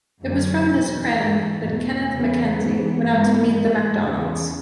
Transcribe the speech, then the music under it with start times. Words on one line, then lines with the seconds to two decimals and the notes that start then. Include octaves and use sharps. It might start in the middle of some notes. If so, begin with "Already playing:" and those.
It was from this crannog that Kenneth MacKenzie went out to meet the MacDonalds.
0.23 F#2 D3 F#3
0.70 E2 B2
1.17 G#2 E3 A3
1.65 E2 B2 A3
2.12 E2 C#3 E3 B3
2.59 G#2 E3
3.07 G#2 E3 B3
3.54 G#2 E3
4.01 E2 C#3 E3